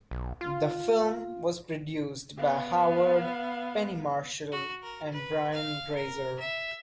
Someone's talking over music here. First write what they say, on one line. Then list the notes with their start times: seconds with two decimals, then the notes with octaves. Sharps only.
The film was produced by Howard, Penny Marshall, and Brian Grazer.
0.11 B1
0.41 F4
2.37 B3 F5
4.52 F#4
4.83 A#4
5.12 B4
5.52 F5
5.95 A#4
6.40 E5